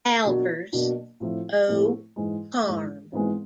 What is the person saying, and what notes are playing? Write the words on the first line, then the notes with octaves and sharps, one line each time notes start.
Albers, O. Carm.
B2 F#3 A#3 D4
B2 F#3 A#3 D4
A2 F3 A3 C4 E4
A2 F3 A3 C4 E4
G#2 E3 G#3
G#2 E3 G#3
G#1 G#2 E3 G#3 B3